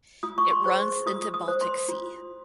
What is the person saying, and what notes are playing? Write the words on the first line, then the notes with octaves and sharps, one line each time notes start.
It runs into Baltic Sea.
F4 D#6
C#6
C6
G#4 C5 C#6
F4 D#6
D#6
C5
C6
F4